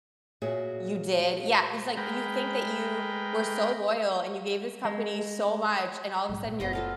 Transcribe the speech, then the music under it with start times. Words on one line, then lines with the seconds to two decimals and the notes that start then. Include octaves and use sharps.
You did? Yeah, it's, like, you think that you were so loyal and you gave this company so much and all of a sudden you're
0.42 A#2 F#4 G#4 C#5 E5
1.97 G#3 A#4 B4 G5
4.85 G#3
6.29 G#2 G3
6.44 A#2
6.60 F#1 B3 C5 D#5
6.73 F4 A4 F5